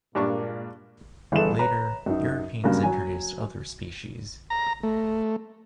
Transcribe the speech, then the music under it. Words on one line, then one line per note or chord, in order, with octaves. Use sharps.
Later, Europeans introduced other species.
G2 A#2 G#3 A#3 D4 C#6
G1 E3 G#4 A4 E7
B4 C#5 A#5
F#2 D#4
G2 C#3 F#3 A#3
F#3 G#5
A#5
A3